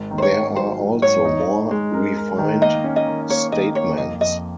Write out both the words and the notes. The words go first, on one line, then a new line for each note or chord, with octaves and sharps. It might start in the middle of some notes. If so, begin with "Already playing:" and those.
There are also more refined statements.
Already playing: G#1
D#3
C5
C#5
G#1
F#3 C5
F#3
G#2 C#5
D#4
D#4
G#3
A#4
A#4
D#3
A#3 D#5
C#4
D#5
D#3
A#3 C#5
D#3 D#5
A#3 C#5
F2 D#5
F2 D#5